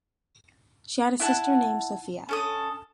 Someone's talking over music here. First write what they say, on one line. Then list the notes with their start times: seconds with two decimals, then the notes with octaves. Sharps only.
She had a sister named Sophia.
1.20 E4 F#5 A5
2.29 C#4 A4 D#6